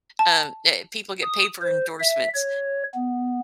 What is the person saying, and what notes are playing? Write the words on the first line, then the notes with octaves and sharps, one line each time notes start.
um, that people get paper endorsements.
A5
D#6
C5
E5
C#5
B3